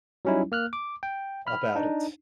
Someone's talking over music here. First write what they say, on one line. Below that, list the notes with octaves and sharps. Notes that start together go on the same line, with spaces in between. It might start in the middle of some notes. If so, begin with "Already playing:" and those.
about it,
F#3 G3 C#4 D#4 E4
A#3 F6 F#6
D6
G5
B5 F6
D4 D#4